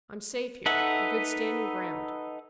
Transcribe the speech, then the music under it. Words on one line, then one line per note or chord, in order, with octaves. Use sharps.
I'm safe here, on good standing-ground.
D#4 A4 B4 E5 F#5